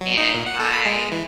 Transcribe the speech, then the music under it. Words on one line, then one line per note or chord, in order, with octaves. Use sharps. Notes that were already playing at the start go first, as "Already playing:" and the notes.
And I
F#3
D#4
A#2
F#5
A4
B5
G#3
E3